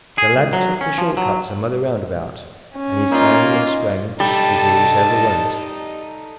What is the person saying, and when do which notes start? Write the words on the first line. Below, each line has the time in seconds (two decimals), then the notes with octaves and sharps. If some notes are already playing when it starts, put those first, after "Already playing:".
The lad took the short cut to Mother Roundabout, and he sang and sprang as he was ever wont.
0.18 G#4
0.36 C#2
0.53 F#3
0.81 C#4
0.98 F3
1.17 F#3
2.75 C#4
3.12 A#3 D#4 F4
4.20 G3 D#4 A4 A5